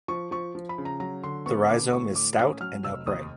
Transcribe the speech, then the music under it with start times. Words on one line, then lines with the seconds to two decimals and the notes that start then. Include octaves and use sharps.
The rhizome is stout and upright.
0.08 F3 C#6
0.31 F3 C#6
0.55 F3
0.69 B5
0.78 C#3
0.85 A#5
1.00 F#3 A#5
1.24 D3 C6
1.46 B3 C#6
1.69 D3 D6
1.93 A2 C#6
2.15 A2 D6
2.38 C#4 D#6
2.60 F#3 F6
2.84 F1 E6
3.06 D#2 D#6